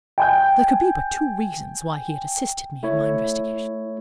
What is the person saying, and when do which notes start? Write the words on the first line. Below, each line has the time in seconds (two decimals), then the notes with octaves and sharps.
There could be but two reasons why he had assisted me in my investigation.
0.18 G5 G#5 G6
2.83 A3 E4 C#5